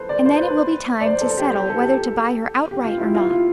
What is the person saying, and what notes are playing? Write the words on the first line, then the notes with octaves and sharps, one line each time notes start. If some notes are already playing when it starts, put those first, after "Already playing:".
And then it will be time to settle whether to buy her outright or not.
Already playing: A4 B4 C5
D5
C5
B4
D5
C5
A4
G4
G4
A4
A4
G4
F4
E4
F4
F4